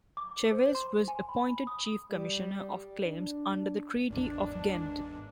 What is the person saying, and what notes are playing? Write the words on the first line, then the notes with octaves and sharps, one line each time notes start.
Cheves was appointed chief commissioner of claims under the Treaty of Ghent.
D6
C5
C6
G#5
B5
D#6
G3
D4
G#1 E2 G#2 D4